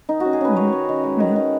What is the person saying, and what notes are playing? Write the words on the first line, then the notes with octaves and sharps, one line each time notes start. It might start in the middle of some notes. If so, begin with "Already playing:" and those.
Mhm, mhm.
D#3 D#4
C#4 F#4
G#4
C#4 B4
D#3 C#5
C#4
D#3
G#3
D#3
D#3